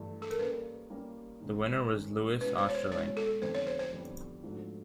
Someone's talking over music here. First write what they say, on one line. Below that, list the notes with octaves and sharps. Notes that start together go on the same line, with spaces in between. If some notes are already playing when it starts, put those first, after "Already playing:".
The winner was Lois Ostrolenk.
Already playing: G2 E3 A3
A4
A#4
G3 A#3 C#4 B4
G3 A#3 C#4
D#3 G#3 C#4
D#3 G#3 C#4
B2 G#3 C#4 E4 B4
C5
C#5
C5
B2 G#3 C#4 E4 C#5
A4
F2 D3 G3 B3 C5
C#5
C5
C5
F2 D3 G3 B3
G#2 F3 A3 D4 F#4